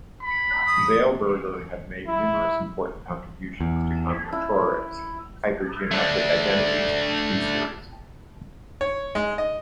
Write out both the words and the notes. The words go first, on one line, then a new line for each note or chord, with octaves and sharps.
Zeilberger has made numerous important contributions to combinatorics, hypergeometric identities, and q-series.
B5
D#6
E4
E2
E4
A3 D4
C#5
G#3
D#5